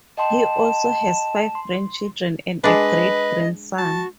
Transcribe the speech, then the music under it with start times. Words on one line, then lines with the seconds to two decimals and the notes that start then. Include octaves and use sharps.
He also has five grandchildren and a great-grandson.
0.18 D#5 G5 A5 C6
1.55 C6
2.64 G#3 D4 B4 D#5
3.78 F#4 A5